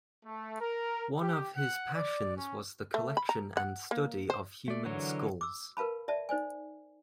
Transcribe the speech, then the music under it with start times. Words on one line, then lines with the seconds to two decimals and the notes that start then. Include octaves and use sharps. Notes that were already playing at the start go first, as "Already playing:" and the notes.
One of his passions was the collection and study of human skulls.
0.23 A3
0.60 A#4
1.20 G4
1.56 F#5
1.93 D5
2.36 C#4
2.94 A3
3.17 B5
3.29 A#5
3.57 F#5
3.91 A#3
4.30 C5
4.68 A3 D5
4.85 D3 E3 F#3 A#4 C#5
5.41 D6 E6
5.77 A#4 B4 F5 A5 B5
6.08 D5 E5 A5
6.29 D#4 C5 D5 G#5